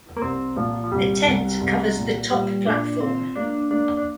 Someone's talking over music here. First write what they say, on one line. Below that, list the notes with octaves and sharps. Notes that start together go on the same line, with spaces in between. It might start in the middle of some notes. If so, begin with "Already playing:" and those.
A tent covers the top platform.
A#3
C2 C4
A#2 F3
F3
C2 G3
C2
C2
A#2
A#2 G3
A#2 D4
C4 F4
A#3 D4
A#3 D4
D4